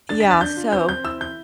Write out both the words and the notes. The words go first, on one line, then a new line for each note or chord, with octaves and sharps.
Yeah, so
D4 A6
B6
D4
A6
D4 G6
F4
C4 G6
C4 G6
E4 E6
E4 G6